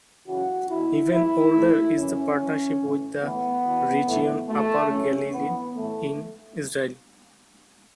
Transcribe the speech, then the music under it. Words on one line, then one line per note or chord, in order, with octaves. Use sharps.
Even older is the partnership with the region Upper Galilee in Israel.
F#2 C#3 E3 F#4
E2 B2 E4
E2 E3 E4
A2 E3
F#2 E3 C#4
F#2 E3
A2 E3
A2 E3 B3
E2 B2
A2 E3
E2 B2 A3
F#2 C#3 E3 C#4
A2 E3 B3
A2 E3 A3